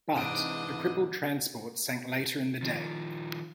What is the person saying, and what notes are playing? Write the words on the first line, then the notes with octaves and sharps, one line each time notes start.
But, the crippled transport sank later in the day.
C2 G#2 E3 D4 D#5 D7
D#3 F3